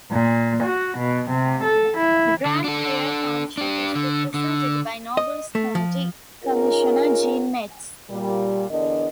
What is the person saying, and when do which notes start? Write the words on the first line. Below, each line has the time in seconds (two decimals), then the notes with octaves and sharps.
Grand Prairie Township is represented by Nobles County Commissioner Gene Metz.
0.12 A#2
0.63 F#4
0.98 B2
1.30 C3
1.64 A4
1.98 E4
2.46 D3
2.64 D4 A4
3.58 D4 G4
3.95 D3
4.34 D3
5.17 D#5
5.55 A3
5.75 F3
6.44 C#4 D#4 F4 G#4 A#4
8.09 A#2 G3
8.70 E2 D3 D4 A#4 D#5